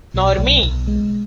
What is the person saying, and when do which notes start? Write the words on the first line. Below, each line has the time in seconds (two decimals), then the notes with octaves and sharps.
Nor me.
0.14 B1
0.38 B1
0.63 B1
0.87 G#3